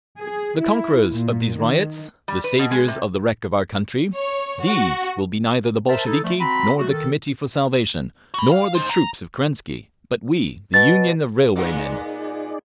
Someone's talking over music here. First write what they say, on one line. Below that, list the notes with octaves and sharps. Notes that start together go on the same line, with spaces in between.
The conquerors of these riots, the saviours of the wreck of our country, these will be neither the Bolsheviki, nor the Committee for Salvation, nor the troops of Kerensky--but we, the Union of Railwaymen...
G#4
E4
A#2
D#3
G3
B4
B2
G#3
C3
C#5
F#4
A#4 C5 E5 A5
D#4 E4 A4
F3 G3 A3
C4 F#4 A#5 B5
F#3 G#3 A3 F#4
D#3 A4
F#4 B5
F5
D#4 C5
A#5
B2 A6
A#2 G#3 B3 D#4 G#4 D5